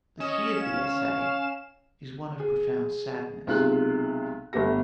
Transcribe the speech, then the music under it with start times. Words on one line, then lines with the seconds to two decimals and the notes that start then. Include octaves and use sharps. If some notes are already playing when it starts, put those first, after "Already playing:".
The key of the essay is one of profound sadness.
0.20 C#4 D#5 E7
0.62 F5
2.40 G#4
3.47 B1 C3 G#3 F4 F#6
4.53 G1 A3 B3 G4 A#6